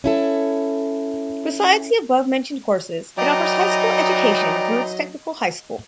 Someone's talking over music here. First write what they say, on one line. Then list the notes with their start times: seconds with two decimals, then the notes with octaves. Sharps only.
Besides the above-mentioned courses, it offers high school education through its Technical High School.
0.04 C#4 E4 A4
3.17 E3 F#3 D#4 D5 D#5 G5 A#5